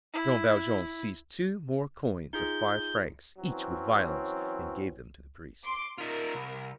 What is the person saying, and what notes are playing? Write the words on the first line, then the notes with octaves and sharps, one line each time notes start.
Jean Valjean seized two more coins of five francs each with violence, and gave them to the priest.
E4
D#4 F4 G#4 G6
E3 F#3 C4 C#4
C6 D6
D#4 F4 A#4
C2